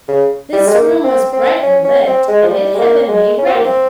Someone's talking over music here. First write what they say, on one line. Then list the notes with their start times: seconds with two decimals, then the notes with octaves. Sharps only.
This room was brightly lit; and it had been made ready.
0.08 C#3
0.53 G3
0.67 G#3
0.74 A#3
1.04 C4
1.33 C4
1.63 C#4
1.84 C#4
2.07 C4
2.28 G#3
2.43 F3
2.50 G3
2.75 G#3
2.79 A#3
3.08 G#3
3.38 C#4
3.46 C4
3.55 A#3
3.65 C4